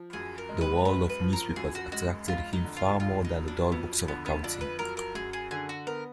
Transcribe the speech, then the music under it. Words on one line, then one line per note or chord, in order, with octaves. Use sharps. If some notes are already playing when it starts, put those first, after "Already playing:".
The world of newspapers attracted him far more than the dull books of accounting.
Already playing: F3
F#2 G#4
A#4
G#3
B4
F#2 B4
B4
F3
A#4
F#2 G#4
F#4
G#3 F#4
F2 F4
D#4
D3
F4
F2 F4
D#4
F#3
D4
F2 B3
D3 B3
B3
F2 D4
B4
F#3 A#4
A#4
F#2 G#4
G#4
D3 G#4
F#4
B3 A#4